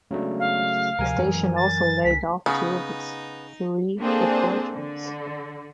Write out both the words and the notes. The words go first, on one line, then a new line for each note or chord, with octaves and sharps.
The station also laid off two of its three reporters.
C#3 F#3 G#3 A3 B3 D4
F5
D2 C3 F3 A#4 G#5
F#2 E3 F#3
A6
C#2 B6
C#3 B3 D#4
A#3 C4 D4 G#4 A4 C5
D3